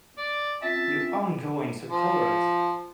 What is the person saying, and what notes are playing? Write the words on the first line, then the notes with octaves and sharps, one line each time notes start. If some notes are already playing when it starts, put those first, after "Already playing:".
You aren't going to collar it!
D5
C4 C#4 F4 E5 A5
F3